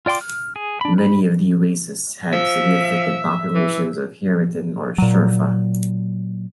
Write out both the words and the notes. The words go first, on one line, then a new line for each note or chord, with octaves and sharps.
Many of the oases had significant populations of haratin or shurfa.
F4 D5 G5 C6 D6
F6
G#4
D4 B5
B5
F3 E5
E3
A#2 F#3